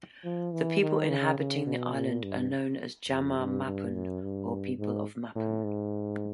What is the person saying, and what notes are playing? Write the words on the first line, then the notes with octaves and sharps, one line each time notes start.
The people inhabiting the island are known as Jama Mapun or "people of Mapun".
F3
E3
D#3
C#3
C#3
B2
A#2
G2
F2
G2
G2
F#2
G2
G#2
A2
G#2